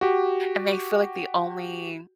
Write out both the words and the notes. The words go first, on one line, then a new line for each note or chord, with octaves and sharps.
and they feel like the only
F#4 G4